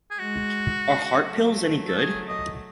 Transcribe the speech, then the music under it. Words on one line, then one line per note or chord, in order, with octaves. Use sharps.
Are heart pills any good?
G#4
G#3 F#4
F#3 A3
A4
G#4
D#5